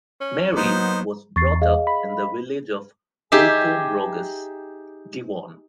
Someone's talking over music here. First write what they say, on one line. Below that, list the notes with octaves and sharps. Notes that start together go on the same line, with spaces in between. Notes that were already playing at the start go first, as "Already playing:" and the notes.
Mary was brought up in the village of Holcombe Rogus, Devon.
C#4
F#3 A#3 B3 D#4 C5
E2 C#6 A6 C7
G#4 D#5 F5
B5
D#4 G4 G#4 E5